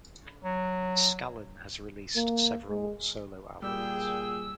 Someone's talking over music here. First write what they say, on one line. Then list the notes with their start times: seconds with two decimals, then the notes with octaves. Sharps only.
Scallon has released several solo albums.
0.44 F#3
2.16 A#3
2.69 G#3
3.62 A#2 G3 G#4 G5 E6